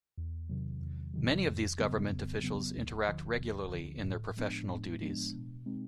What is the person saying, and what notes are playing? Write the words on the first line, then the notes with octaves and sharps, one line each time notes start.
Many of these government officials interact regularly in their professional duties.
E2
C3 D#3 F#3
E2
C3 D#3 F#3
F2
C#3 F#3 B3
F2
C#3 F#3 B3
D2
D3 F3
D2
D3 F3
A2
F3 G#3 B3 D4
A2
F3 G#3 B3 D4
B2
G#3 C4 D#4